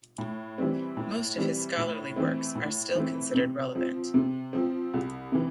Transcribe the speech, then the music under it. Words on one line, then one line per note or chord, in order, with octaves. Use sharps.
Most of his scholarly works are still considered relevant.
A2
E3 G3 C4
A2
E3 G3 C4
A2
E3 A3 C4
A2
E3 A3 C4
C3
F3 C4
C3
F3 C4
C2
C3 E3